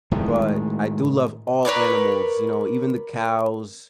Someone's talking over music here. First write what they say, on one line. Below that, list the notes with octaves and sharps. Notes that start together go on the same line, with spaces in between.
but I do love all animals, you know, even the cows,
A2 D#3 G#3
A#4 B4 C#5 D5